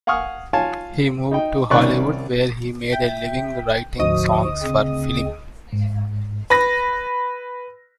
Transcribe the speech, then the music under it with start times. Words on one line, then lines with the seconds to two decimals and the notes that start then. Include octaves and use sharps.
He moved to Hollywood where he made a living writing songs for film.
0.07 F5 F#5 G#5 C#6 D#6 F6
0.53 F4 C#5 F5 G#5 A5
1.31 D#4 D#5 G5
1.70 C2 D#3 C#4 D5 C#6 F#6
2.93 E5 G5
3.99 D2 G#2 F3 F#4 D#5 D#6
4.63 C#3 C4
5.73 G#2
6.50 B4 B5 A#6